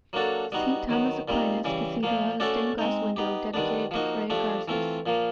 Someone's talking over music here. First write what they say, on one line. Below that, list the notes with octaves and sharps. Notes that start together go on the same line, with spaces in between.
Saint Thomas Aquinas Cathedral has a stained glass window dedicated to Fray Garces.
F#3 A#3 D4 F#4 A4
G3 B3 D#4 F#4
D#3 F#3 B3
A#2 G3 C4 D#4
C#3 E3 G3
A#2 F3 A#3
A3 C#4 F#4 A4 D5
G#3 C4 D#4
B3 D#4 G4
D#3 G3 B3 D4
F3 A#3 D#4 F#4
F3 A3 D4 G4
E3 A3 C4 F4
A#2 F3 A#3